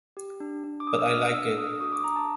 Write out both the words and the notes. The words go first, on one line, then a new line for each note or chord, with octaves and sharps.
But I Like It.
G4
D4
D4
D6
D4 D#6
E6
D4 F6
F6
D4 E6
D4 D#6
F#4 D#6
D6
D4 A#5
A5